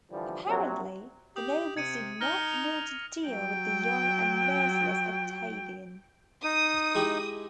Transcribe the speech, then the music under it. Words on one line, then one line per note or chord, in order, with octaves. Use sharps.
Apparently, the nobles did not want to deal with the young and merciless Octavian.
D3 E3 F3 G3
A#1 C3 F#3
G4 D#6
C3 G#6 C#7 D#7
D#4 F6 A#6 G7
F7
F#3 G5
D#4 D#6
G#3 E4 G4